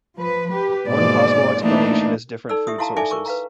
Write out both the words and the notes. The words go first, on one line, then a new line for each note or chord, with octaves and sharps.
One possible explanation is different food sources.
F3 B4
G4 B4
G#2 B2 A#3 D5
E3 A3 A#3 D4 D#4
D#4 A4 D5 E6
G4 E5 D#6
E4 F#4 F5 A5 A#5
D#4 A4 D5 E5 G#5 D6
A#4 C#6 D6
B4 F5 A#5